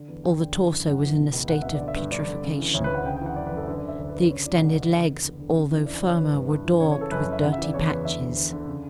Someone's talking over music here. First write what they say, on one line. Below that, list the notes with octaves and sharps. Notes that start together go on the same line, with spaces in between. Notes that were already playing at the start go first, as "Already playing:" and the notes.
All the torso was in a state of putrefaction. The extended legs, although firmer, were daubed with dirty patches.
Already playing: D3
E2
E2 G5
D3
E3
F#2
F#2 F#5
E3
B2
C#2
C#2 F#5
B2 E5
D5
D3
E5
G2
G2 D5
D3
C#3
E3
D2 C#5
B4
D2 F#5
C#3 G5
G5
E3
F#5
F#2 D5
B4
F#2
A4
D3 B4
D5
D2
E5
D2 D5
B4
D3
B4
C#3 C#5
E3 D5
C#2 F#5
C#2
D3
E2
E2
D3
C#3
E3
D2 D5
D2 C#5
E3 B4
G2
G2
E3
C#3 C#5
C#5
E3
A4
F#2 B4
C#5
F#2
E5
C#3 F#5
E5
E3
D5
E2 C#5
B4
E2
D3 E5
D2
D2
D3
C#3